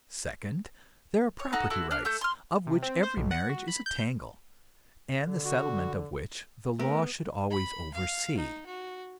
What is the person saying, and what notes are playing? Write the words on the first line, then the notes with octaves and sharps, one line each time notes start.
Second, there are property rights, of which every marriage is a tangle, and the settlement of which the law should always oversee.
C#5
D#4 F#4 A4 F#5
E4 F#4 A4
D4 C#5 F6
A3 A4 G6
C6 F6
C3
C4
C5
B1
F#5
F#4
B5
G6
D3
F#4
A3 B3 A#4
B5
F5
D#4
F#4